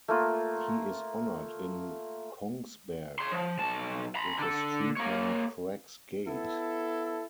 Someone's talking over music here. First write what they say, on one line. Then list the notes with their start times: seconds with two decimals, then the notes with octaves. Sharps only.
He is honored in Kongsberg with a street named Krags gate.
0.08 A3 A#3 F4
3.19 C#5 C6
3.32 F3
3.59 B1 A5
4.16 A#5 B5
4.39 D3 A4
4.96 A#3 C#5
6.28 B3 E4 A4